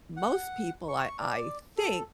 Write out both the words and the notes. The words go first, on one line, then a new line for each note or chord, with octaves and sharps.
most people I I think
F#5
C#6
D5
A4